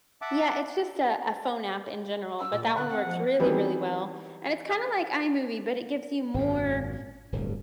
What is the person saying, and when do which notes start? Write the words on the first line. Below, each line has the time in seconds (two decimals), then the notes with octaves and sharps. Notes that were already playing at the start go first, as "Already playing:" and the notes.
Yeah, it's just a phone app in general, but that one works really, really well, and it's kinda like iMovie, but it gives you more,
0.22 E5 F#5 A5 D6
2.40 E6
2.52 A#2 D5
2.65 A#3 C#6
2.76 D3 F#6
2.89 C4 F#5
3.04 F3
3.39 D#3 E3 F#3 G3 B3 C4
6.34 G#1 F#2 A#2
7.32 D1 G1 G2